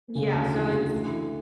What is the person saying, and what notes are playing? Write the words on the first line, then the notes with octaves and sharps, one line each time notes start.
Yeah, so it's
C#3
D2
E3
D2
A3
E3